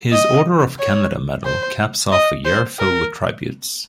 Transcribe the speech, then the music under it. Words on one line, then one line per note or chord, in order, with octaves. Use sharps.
His Order of Canada medal caps off a year filled with tributes.
D#5
C#5
C5
D#5
C5
A#4